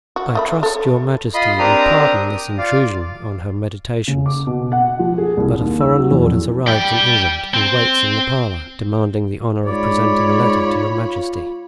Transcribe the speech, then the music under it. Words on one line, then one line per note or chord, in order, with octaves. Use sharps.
"I trust your majesty will pardon this intrusion on her meditations, but a foreign lord has arrived from England and waits in the parlor, demanding the honor of presenting a letter to your majesty."
F#4
A3 D#5 B5
A4 C#5
F4 D#5 B5 C6
C4 D4 G4 A#4 A#5 D#6
D#6
F4 D5 F5
C#3
D6
B2
F#5
F3
G#4
C2
D#2
E6
F#3
E2
F2
D5 G5
C4
G#2 F4 C#5 D5 B5